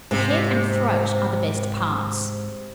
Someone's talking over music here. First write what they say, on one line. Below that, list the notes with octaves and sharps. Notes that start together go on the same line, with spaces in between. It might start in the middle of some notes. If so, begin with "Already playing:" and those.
The head and throat are the best parts.
G#2 C3